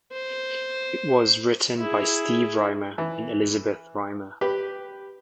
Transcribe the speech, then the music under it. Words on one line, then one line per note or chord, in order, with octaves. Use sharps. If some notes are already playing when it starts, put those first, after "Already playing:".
It was written by Steve Rhymer and Elizabeth Rhymer.
C5
E4 G#4
E3
G4 B4